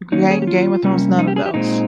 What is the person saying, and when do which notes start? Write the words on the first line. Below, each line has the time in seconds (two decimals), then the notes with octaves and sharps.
Gain Game of Thrones, none of those.
0.12 D#3 A#3 C#4 D#4
0.31 G#4
0.42 G4
0.47 F4
0.83 C3 G3 A#3 C#4
1.19 D#4
1.27 G4
1.36 G#4
1.46 G4
1.54 A#2 G#3 C4 D#4